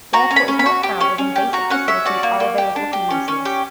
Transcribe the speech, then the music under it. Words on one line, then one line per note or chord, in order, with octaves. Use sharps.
The airport is not crowded and basic facilities are available for users.
F#4 A#5
C#4
B5
C#4
B5
F#4
G4
C#4
C#4
G4
F#4 A#5
C#4 F#5
C#4 E5
F#4 D5
A#3
A#3
G4
D4
G4
C#4
C#4
G4